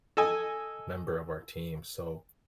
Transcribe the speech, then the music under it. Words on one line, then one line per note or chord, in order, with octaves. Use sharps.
member of our team, so,
A4 D#5 G#5